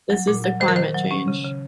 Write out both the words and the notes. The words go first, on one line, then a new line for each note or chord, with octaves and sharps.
This is the climate change.
F#3
A#2
F#3
D#3 C5
A#4
D#3 C5
F#3
C#4
C#3
C#3